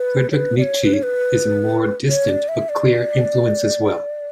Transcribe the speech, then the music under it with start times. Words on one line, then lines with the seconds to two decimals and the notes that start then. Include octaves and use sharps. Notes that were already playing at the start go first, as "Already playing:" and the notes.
Friedrich Nietzsche is a more distant, but clear, influence as well.
Already playing: B4
0.31 C#5
0.35 B4
0.58 D5
0.62 C#5
0.84 B4
0.93 C#5
1.03 B4
2.09 C#5
2.29 D5
2.48 E5
2.69 D5